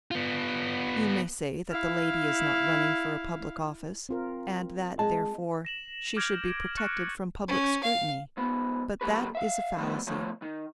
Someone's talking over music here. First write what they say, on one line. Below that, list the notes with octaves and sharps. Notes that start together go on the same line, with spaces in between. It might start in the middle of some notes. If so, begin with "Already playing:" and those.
You may say that the lady is not running for a public office, and that, therefore, she should be protected from public scrutiny, but that is a fallacy.
B3 F4
E4 F5
C4 F4 A#4
G#3 A5
A#6 E7 F#7
D6 F6 G6 G#6 A#6 D7
C#6 F#6 A6 C#7
C#7
C#4
F5
G#2 B3
C#3 F#3 A#3 G4 A4 B4
E5 F5
D3 F3 G3 A3 B3
D2 F3 A3 C#5
D#3